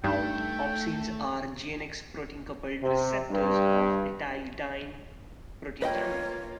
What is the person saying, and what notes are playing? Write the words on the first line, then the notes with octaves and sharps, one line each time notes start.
Opsins are Gn-x protein-coupled receptors of the retinylidene protein family.
G2 A3 D#4 G5
C3
G2
A#3 F4 B4 C#5 D#5 G5